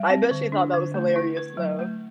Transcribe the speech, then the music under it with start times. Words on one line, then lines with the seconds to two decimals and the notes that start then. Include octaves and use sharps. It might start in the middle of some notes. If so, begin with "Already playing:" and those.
I bet she thought that was hilarious though.
Already playing: G3
0.10 C4
0.31 D3
0.52 D4
0.73 D3
0.94 A3
1.16 E4
1.37 B4
1.57 F#3
1.79 A3